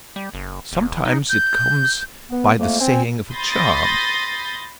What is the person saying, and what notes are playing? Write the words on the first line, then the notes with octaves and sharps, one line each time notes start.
Sometimes it comes by the saying of a charm.
G3
F#1
E1
D#4
G6
B3
F2 A3 A#3
C4 G#5
B5 C6 D#6 G6 A6 A#6